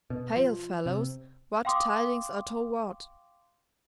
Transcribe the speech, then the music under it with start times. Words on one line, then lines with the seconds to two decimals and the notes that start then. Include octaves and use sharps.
"Hail fellows! what tidings are toward?"
0.10 B2
0.36 F3
0.86 C3
1.65 F5 G5 C6 D6 D#6